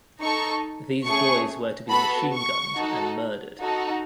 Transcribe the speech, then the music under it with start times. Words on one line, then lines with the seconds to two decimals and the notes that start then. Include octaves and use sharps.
These boys were to be machine gunned and murdered.
0.20 D#4 A4 C#6
1.05 A3 C#4 G#4 C#6
1.90 B3 F#4 A4 B5
2.33 C#6
2.76 D#4 F#4 A4
3.60 D#4 F#4 A4